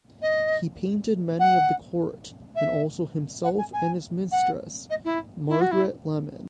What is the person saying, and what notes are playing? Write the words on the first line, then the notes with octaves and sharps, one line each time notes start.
He painted many of the court, and also himself and his mistress, Margaret Lemon.
D#5
F#5
E5
F#5
G#5
G#5
F#5
D#5
E4
E4
F#4
E4